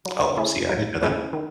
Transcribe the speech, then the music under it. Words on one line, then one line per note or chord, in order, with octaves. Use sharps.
Oh, see, I didn't know that.
F#3
A3 C#4 E4 G#4
F#3
A3 C#4 E4 G#4
D#3